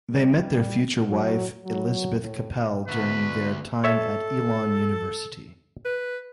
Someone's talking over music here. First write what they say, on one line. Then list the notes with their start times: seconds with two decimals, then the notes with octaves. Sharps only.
They met their future wife Elizabeth Capel during their time at Elon University.
0.11 G3
1.09 F#3
1.65 F#3
2.22 A2
2.88 D2 G#3 B3 F#4 B4
3.84 A4 C#5 E5
5.85 B4